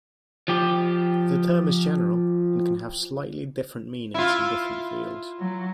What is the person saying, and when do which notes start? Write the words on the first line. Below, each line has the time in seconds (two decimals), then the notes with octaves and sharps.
The term is general and can have slightly different meanings in different fields.
0.48 F3 G4
4.14 E4 F4
5.40 F#3